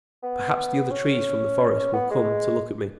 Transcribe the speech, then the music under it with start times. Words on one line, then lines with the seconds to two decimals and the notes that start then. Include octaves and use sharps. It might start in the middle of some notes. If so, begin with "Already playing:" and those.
Perhaps the other trees from the forest will come to look at me!
0.23 B3
0.91 C#4
1.93 B3
2.11 G#3